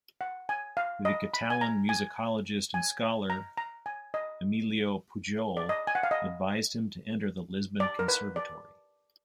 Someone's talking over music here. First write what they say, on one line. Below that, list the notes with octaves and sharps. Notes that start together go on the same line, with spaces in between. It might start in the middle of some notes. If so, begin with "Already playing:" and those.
The Catalan musicologist and scholar Emilio Pujol advised him to enter the Lisbon Conservatory.
F#5
G#5
F5
D#5
B5
G#5
A#5
G#5
G#5
A#5
A#5
G#5
D#5
D5
D#5
G#5
F#5
F5
D#5
D5
A#4
B4
D5